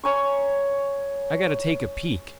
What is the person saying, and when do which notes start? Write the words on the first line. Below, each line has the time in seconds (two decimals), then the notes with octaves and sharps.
I gotta take a peek.
0.04 C#5 G#5 A#5 C#6